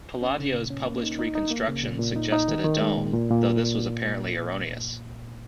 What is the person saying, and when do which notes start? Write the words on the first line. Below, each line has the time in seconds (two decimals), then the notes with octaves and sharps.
Palladio's published reconstruction suggested a dome, though this was apparently erroneous.
0.22 C#4
0.38 C#3
0.54 A#2
0.70 C#4
0.86 A#3
1.03 D#4
1.19 D#4
1.35 D#4
1.51 A#3
1.68 C#3
1.83 A#2
1.99 A#2
2.16 D#4
2.32 D#4
2.48 D#3
2.65 D#3
2.81 G#3
2.97 A#2
3.14 A#2
3.30 A#2